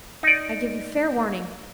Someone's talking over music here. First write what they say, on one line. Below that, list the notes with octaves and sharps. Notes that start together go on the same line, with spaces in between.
I give you fair warning.
D#4 D5